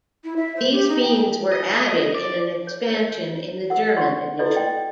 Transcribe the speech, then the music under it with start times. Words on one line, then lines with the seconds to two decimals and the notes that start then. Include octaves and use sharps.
These beans were added in an expansion in the German edition.
0.24 E4
0.36 E5
0.56 C5
0.72 G4
0.88 D#4
1.02 G5
1.52 D#5
2.15 D5
2.67 C#5
2.90 C#5
3.70 A#4 F#5
3.97 D5 F#5 C6 C#6
4.39 E4 F#4 A4 B4 D5 D#5
4.55 D#5 G5